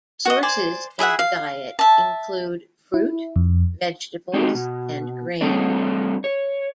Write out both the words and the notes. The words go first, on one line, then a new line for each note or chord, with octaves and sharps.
Sources in the diet include fruit, vegetables, and grain.
F#4 D#5
C5 D5 G#5
E4 G#4 E5 F#5
F5
E5 A5
E4
F2
G#3 C4 D#4 F#4 G4
B2
G3 A3 C4 D4 C#5 D5
C#5